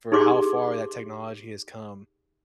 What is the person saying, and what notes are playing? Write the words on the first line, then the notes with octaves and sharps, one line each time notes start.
for how far that technology has come,
D#4 G4 G#4 C6 D6